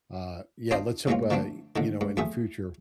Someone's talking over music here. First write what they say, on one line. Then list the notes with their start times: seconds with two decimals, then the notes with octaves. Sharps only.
uh, yeah, let's hope, I you know, in the future
0.71 C4 D4 F4 C5 D5 D#5
1.07 A#2 E3 G#3 C#4 F4
1.30 D3 F3 A3 C4 D4
1.76 A2 D3 D#3
2.01 G#2
2.17 F2 A3 G#4 E5